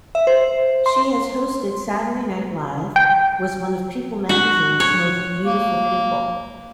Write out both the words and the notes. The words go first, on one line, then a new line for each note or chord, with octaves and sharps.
She has hosted "Saturday Night Live", was one of "People Magazine"'s most beautiful people.
E5
C5
C6
G5
F#4
C#5
A#3